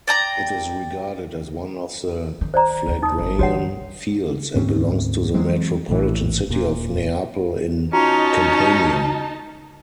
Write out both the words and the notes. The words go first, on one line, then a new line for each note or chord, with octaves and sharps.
It is regarded as one of the Phlegraean Fields and belongs to the metropolitan city of Neapel in Campania.
D5 G5 A#5
D#3
C5 D5 A#5
D#2
D#4 D#6
G1
D3 E3 F#4 C#5 F#5
D2 G#2 C4 C#4
E3 F#3 G#3 C4
A#1 A2 E3
D#1 A#2
C#4 D#4 F4 F#4 A5 A#5